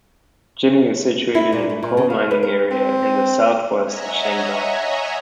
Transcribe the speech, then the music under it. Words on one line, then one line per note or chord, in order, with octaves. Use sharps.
Jining is situated in a coal mining area in the southwest of Shandong.
E4
A#2
A3
A#2
C#3
F5
B4
A#4
C4
C#5 D#5 E5 F#5 G#5 A#5